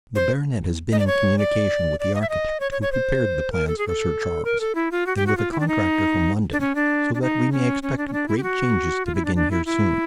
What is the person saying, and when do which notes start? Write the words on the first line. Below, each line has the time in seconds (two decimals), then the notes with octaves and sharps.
The baronet has been in communication with the architect who prepared the plans for Sir Charles, and with a contractor from London, so that we may expect great changes to begin here soon.
0.15 C5
0.92 D#5
0.99 D5
1.07 C#5
1.38 D5
2.00 D5
2.15 D#5
2.21 E5
2.29 D#5
2.60 C#5
2.72 C#5
2.82 C#5
2.92 C5
3.52 A#4
3.68 A4
3.78 G#4
3.87 A4
4.45 A#4
4.60 A4
4.75 E4
4.91 F4
5.07 F#4
5.16 G4
5.27 F#4
5.37 F4
5.52 E4
5.60 D4
5.68 D#4
6.53 D4
6.60 C#4
6.75 D4
7.14 D4
7.22 D#4
7.52 C#4
7.83 C#4
7.98 D4
8.07 C#4
8.13 D4
8.28 E4
8.38 G4
8.43 F#4
9.06 F4
9.15 E4
9.25 D4
9.35 D4
9.51 E4
9.66 E4